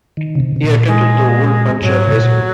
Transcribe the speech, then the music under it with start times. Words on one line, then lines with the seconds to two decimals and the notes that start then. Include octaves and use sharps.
He attended the old Punchard High School.
0.17 D#3
0.35 C#3
0.40 C3
0.56 C3
0.64 A#2
0.87 G#3
1.82 G#2 F#3
2.07 C3
2.13 A#2